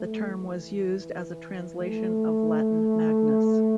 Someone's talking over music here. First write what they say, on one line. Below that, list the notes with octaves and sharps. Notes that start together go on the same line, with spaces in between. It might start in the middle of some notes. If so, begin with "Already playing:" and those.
The term was used as a translation of Latin "magnus".
Already playing: A3
E3
A3